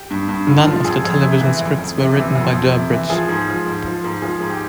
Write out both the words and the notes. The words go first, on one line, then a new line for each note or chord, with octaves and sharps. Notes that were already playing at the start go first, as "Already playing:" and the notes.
None of the television scripts were written by Durbridge.
Already playing: G4
G2
G2
D3
F3
F2 G#4
F2
C3
E3
F2
F2
C3
E3
F2
F2
C3
E3
F3 G#4
G#2
F3
G#2
F3
G#2
F3 G#4
G#2
G4